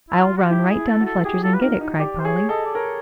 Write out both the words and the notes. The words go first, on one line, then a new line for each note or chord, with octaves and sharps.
"I'll run right down to Fletcher's and get it," cried Polly.
E4
F4
F#4
E4 G4
G#4
E4
A4
F#4
A4
G4 G#4
F4 A4
B4
D#4 A#4
D#4
G4 D5
C5
G#4 C#5
A4 D#5
D5
A#4 C#5